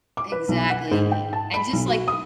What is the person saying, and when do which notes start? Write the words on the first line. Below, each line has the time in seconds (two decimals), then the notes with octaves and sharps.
Exactly, and just, like
0.17 D6
0.32 B4
0.48 B1
0.70 F#5
0.91 G#2
1.12 G5
1.33 A5
1.54 B5
1.73 B1
1.87 F#4
2.08 D#6